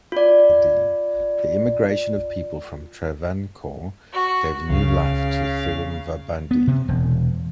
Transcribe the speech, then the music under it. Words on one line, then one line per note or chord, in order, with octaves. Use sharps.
The immigration of people from Travancore gave new life to Thiruvambady.
F4 D5
F#4
C#2 C#3 F5
B3
C3
E1